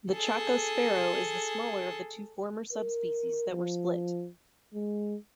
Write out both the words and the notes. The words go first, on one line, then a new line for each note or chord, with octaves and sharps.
The Chaco sparrow is the smaller of the two former subspecies that were split.
G#4 A4
A#4
F3
G#3